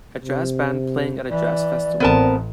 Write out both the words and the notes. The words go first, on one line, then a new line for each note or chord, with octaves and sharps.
A jazz band playing at a jazz festival.
C3
E3 D5
A1 B3 C4 A#4 A5